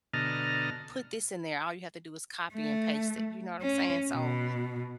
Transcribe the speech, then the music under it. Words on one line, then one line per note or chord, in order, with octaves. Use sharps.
put this in there." All you have to do is copy and paste it. You know what I'm saying? So,
B2 D3 D#5 A5 A#5 F6
A3
C#4
B2